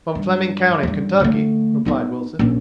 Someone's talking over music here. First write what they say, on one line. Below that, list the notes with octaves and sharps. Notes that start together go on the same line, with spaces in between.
"From Fleming County, Kentucky," replied Wilson.
G2
E2 G2
D3 A3
B3 D#4
A#1 C#4